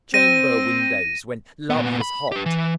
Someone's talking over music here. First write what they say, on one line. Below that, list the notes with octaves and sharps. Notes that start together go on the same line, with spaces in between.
Chamber-windows when Love was hot?
C4 A#6 D#7
A#2 B3
B5
G4 B4
E3